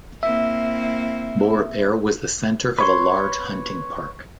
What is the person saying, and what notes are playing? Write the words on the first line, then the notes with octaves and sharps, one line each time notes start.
Beaurepaire was the centre of a large hunting park.
A#3 C4 E4 E5
B4 C#5 C6